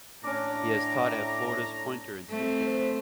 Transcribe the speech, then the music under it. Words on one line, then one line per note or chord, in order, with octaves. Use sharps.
He has taught at Florida's Poynter Institute.
A2 C#4 D4 A#5 D6
A3 C4
C5